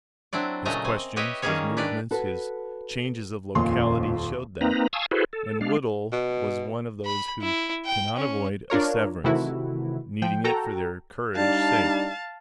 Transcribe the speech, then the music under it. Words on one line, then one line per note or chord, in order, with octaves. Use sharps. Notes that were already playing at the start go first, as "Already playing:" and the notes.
His questions, his movements, his changes of locality showed that; and Woodhull was one of those who cannot avoid asseverance, needing it for their courage sake.
F#3 C4 D4 E4 D5
A#2 C#3 F#3 A3 D#5 A#5
C4 G#5
G4 B4 C#5 D#5 E5 G5
D#3 G3 A#3 C#4 G#4 C#5
D4 E4 G4 B4 D5
F#4 A4 B4
D#1 F2 A#2 C#3 C6
A#3 C4 D#4 B4 A#5
F5 G#5 A5 C#6 D#6 E6
E4 F#4 G#4 A4 B4 C5
A4
G#3 D4 F5
B2
B5
E4
G5
C#4
D4 F4 A#4 C#5
C3 D#3 E3 A3 E4 F#4
F3 G5
F#4 A4 G5 A#5
G3 D4 D#4 F5 A5